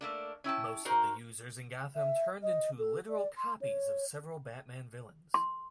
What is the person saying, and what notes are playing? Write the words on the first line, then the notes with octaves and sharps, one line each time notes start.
Most of the users in Gotham turned into literal copies of several Batman villains.
A3 A#3 D4
C#4 E4 G5 A5
D#4 F#4 A#4 C5
E5
D#5
A4
D5
C6
C#5
C6